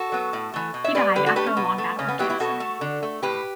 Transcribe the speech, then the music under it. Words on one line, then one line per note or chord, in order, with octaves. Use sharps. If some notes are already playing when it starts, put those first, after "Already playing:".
He died after a long battle with cancer.
Already playing: F#4 A4
F#3 B3
A2
E3 A3
B2
C#5 E5
G3 B3 B4 D5
D3 G4 B4
F#4 A4
A3 G4 B4
C#4
B2 B3
A3
C#3 C#4
B3
F#3 B3 E4 G4
E4 G4
B2 F#4 A4
A3
D3
A3
A2 G4 B4